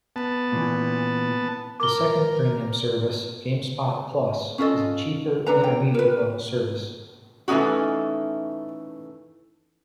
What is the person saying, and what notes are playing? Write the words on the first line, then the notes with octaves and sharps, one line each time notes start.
The second premium service, GameSpot Plus, is a cheaper, intermediate-level service.
B3 A5
A#2 E3
A#4 D6 G7
C#4 F4 A4 D#5
D4 A4 B4 A#5
G5
A#4 B4
E3 A3 C#4 D#4 F#4